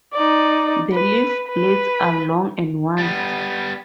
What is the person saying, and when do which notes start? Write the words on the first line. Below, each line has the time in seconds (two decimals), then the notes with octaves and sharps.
The leaf blades are long and wide.
0.14 D#4 D5
0.93 B4
1.49 B4
2.98 G3 B3